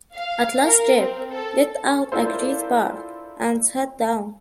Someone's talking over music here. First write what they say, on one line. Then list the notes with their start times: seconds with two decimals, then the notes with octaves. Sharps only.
At last Jip let out a great bark and sat down.
0.15 F5
0.66 A#4
0.96 C4
1.30 A4
2.12 D4 E4 F4 A4 A#4 C5